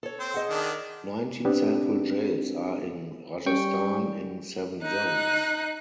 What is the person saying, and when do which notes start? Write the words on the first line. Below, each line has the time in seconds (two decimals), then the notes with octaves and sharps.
Nineteen Central Jails are in Rajasthan in seven zones.
0.03 A4 C#5
0.20 C4 C5
0.34 G#4 D#5 F#5
0.50 D#3 D4
1.45 B3 C4 D4 G4
3.46 G3 C#4 G5 C#6
4.82 D#4 F#6